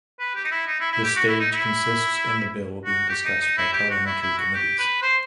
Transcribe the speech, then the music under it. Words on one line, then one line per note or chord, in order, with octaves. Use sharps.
This stage consists in the bill being discussed by parliamentary committees.
B4
G4
D#4
E4
D#4
E4
E4
G4
F#4
E4
D#4
E4
F#4
G4
D#4
D#4
E4
G4
F#4
E4
E4
F#4
G4
B4
C5